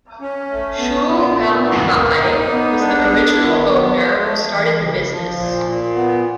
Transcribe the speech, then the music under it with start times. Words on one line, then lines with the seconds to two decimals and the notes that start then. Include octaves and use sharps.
Chu Gam Fai was the original owner who started the business.
0.21 C#4
0.50 A3
0.78 B3
1.08 A#2
1.37 B3
1.65 A#3
1.94 A#3
2.23 D#4
2.50 B3
2.79 D4
3.08 B3
3.37 D#3
3.66 B3
3.94 G#3
4.22 A3
4.51 E3
4.80 C#3
5.09 F3
5.37 A#2
5.66 A#2
5.95 B3